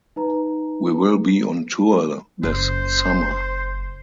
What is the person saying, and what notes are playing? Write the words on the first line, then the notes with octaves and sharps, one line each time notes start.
We will be on tour this summer.
D#4 B4 A#5
F#1 C5